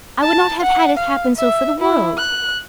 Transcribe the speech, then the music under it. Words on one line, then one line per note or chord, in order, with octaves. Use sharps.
I would not have had it happen so for the world.
A5
F#5
F5
E5
E4
F#6